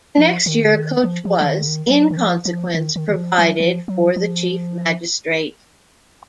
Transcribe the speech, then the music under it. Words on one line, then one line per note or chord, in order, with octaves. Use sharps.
The next year a coach was, in consequence, provided for the chief magistrate.
F3
D#3
D3
D#3
F3
F3
F3
D#3
D3
D#3
F#3
D#3
F3
F3
D#3
D#3
D#3
F3
F#3
F3
F#3
F3